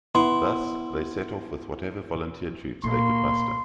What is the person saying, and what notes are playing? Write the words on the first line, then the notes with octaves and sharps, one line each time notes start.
Thus, they set off with whatever volunteer troops they could muster.
B3 E4 C6
A#2 A#3 C6